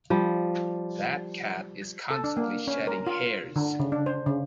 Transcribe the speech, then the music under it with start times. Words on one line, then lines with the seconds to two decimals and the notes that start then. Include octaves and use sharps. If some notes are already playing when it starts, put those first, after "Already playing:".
That cat is constantly shedding hairs.
0.10 F3 G3
2.11 A4
2.24 D4
2.37 A#3
2.67 C#4
2.87 A#4
3.07 F4
3.56 D3
3.80 C#3
3.92 D4
4.06 C5
4.26 C#3